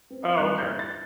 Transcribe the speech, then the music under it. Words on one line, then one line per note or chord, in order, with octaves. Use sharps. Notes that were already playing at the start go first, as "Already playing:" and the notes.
Oh, okay.
C4
G2 F#6
G6
E4
A6